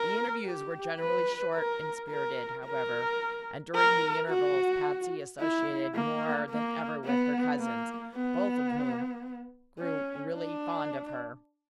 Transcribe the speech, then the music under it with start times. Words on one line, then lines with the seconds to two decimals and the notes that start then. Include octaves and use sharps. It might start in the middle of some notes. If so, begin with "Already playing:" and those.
The interviews were generally short and spirited, however, and during the intervals Patsy associated more than ever with her cousins, both of whom grew really fond of her.
Already playing: A#4
0.45 G4
0.99 B4
1.55 A#4
2.09 A#4
2.65 A#4
3.75 A#4
4.29 F#4
5.40 E4
5.95 A#3
6.50 A#3
7.05 B3
7.60 A#3
8.15 B3
9.80 C#4
10.35 D4